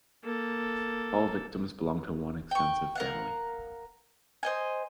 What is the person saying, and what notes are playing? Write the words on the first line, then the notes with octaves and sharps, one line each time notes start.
All victims belong to one extensive family.
A#3 A4
G5 C#6
A#4 F5 F#5
C5 D#5 G#5